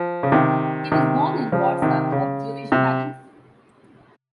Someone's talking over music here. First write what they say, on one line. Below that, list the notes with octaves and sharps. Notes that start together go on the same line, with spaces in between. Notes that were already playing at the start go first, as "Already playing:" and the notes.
He was born in Warsaw, of Jewish parents.
Already playing: F3
C#3
C3 D#3
C3 D#3
C#3 F3
C3 D#3
C#3
C3